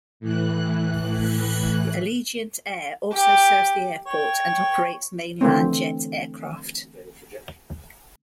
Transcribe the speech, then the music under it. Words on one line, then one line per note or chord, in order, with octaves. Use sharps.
Allegiant Air also serves the airport and operates mainline jet aircraft.
A2 E3 F#6
G4
C#5 G5
D3 E3 A3 C4